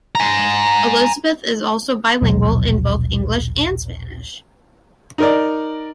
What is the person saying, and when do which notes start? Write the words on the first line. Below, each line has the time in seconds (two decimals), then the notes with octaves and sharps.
Elizabeth is also bilingual in both English and Spanish.
0.15 G#5 A#5
2.22 A#1 D#2 B2 F#3
5.18 D#4 A#4 D5